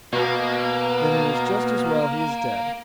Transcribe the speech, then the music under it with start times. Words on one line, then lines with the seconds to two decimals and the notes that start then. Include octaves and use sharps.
"Then it is just as well he is dead."
0.13 B2 A#3